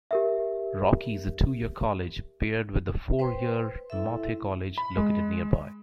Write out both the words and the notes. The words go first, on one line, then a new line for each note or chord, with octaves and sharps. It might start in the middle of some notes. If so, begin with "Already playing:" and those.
Rocky is a two-year college, paired with the four-year Mathey College, located nearby.
G4 A#4 E5
B4 C5 G5 C6
E4 A4 E5
B5
G#3